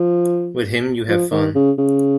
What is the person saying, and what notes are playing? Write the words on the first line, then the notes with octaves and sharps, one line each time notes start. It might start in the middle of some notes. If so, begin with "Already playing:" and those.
With him, you have fun.
Already playing: F3
F3
D#3
C#3
C#3